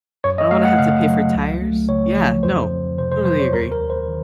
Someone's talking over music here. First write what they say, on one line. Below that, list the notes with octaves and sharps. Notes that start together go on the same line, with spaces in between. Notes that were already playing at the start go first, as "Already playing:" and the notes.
I don't wanna have to pay for tires. Yeah, no, totally agree.
F#2 C#5
D#5
A3 F5
F#5
C#3 F5
F#3
C#2
A3
C#3 C#5
F3
F2 C5
F2
C3 C5
C5
F#3 C5
C#5
D#2 A#4
A#4
D#2
C5
D#3